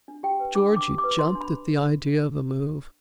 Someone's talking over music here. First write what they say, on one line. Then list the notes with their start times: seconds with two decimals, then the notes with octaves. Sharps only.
Georgy jumped at the idea of a move.
0.08 D4
0.23 G4 G5
0.40 B4
0.55 D4 D6
0.72 D4 D6
0.87 G4
0.98 D6
1.04 B4
1.19 D4 C6
1.35 D4
1.41 B5